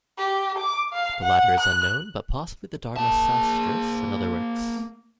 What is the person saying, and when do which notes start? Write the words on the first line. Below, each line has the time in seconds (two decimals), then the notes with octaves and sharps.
The latter is unknown but possibly the Dharmasastras and other works.
0.18 G4
0.59 D6
0.93 F5
1.23 F#5
1.60 F#6
2.96 A#3 A5